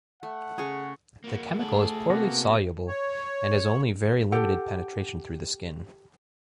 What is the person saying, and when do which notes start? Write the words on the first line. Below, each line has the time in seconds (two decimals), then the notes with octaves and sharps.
The chemical is poorly soluble, and has only very limited penetration through the skin.
0.23 A3 F#5
0.58 C#3 C#4 G#4 C#6
1.24 A#3 F#4
1.59 A3 G#4 A4 F#5
2.10 C3 A#3 B3 F#4
2.88 C#5
4.32 G4 A4 F#5